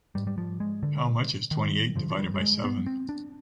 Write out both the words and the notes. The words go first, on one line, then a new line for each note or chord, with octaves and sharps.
How much is twenty-eight divided by seven?
G#2 G3
G3
F3
G#3
D3
D#3
G2 D3 F3
F3
G3
G3
G#3
B3
C4
D4